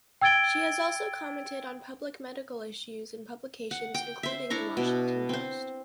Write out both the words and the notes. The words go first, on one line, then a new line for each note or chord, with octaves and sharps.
She has also commented on public medical issues in publications including the "Washington Post".
G5 E6 G#6 A6 D7 G7
F#5
G5
C5 E5
D4 E4 A#5 C#6
B2
C4 C5